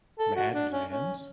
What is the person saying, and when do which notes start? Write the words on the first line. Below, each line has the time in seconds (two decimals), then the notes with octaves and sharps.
Mad Lands?
0.19 A4
0.36 F#4
0.54 D4
0.72 C#4
0.90 C#4